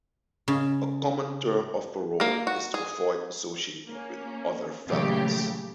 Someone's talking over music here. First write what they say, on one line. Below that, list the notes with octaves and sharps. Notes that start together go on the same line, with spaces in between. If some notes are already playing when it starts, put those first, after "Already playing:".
A common term of parole is to avoid associating with other felons.
C#3
A#3 A#4
F#4
G#4
A#3 C#4
A#2 C#3 E3 F#3 A3 G4